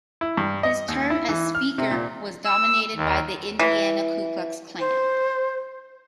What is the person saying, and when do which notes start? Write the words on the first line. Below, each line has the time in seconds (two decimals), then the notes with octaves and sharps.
His term as Speaker was dominated by the Indiana Ku Klux Klan.
0.21 E4
0.37 G2
0.63 D#5
0.88 D#2
1.10 E4
1.29 E3
1.55 F6
1.78 C3
1.91 A#2
2.45 E6
2.96 D#2
3.59 E3
4.80 C5